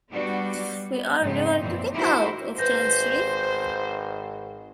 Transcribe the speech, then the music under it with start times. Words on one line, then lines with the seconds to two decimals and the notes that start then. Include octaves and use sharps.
We are never to get out of Chancery!
0.10 G3 B3 D4 F#4
0.57 G3
0.91 B3
1.21 F2 G#2 C#3 B3 C4 D#4
1.61 F#2 A#2 E3 F3 C4
1.92 D#4 E4 F#4 G4 A#4 C5
2.58 G#1 B4 C5 G6 A#6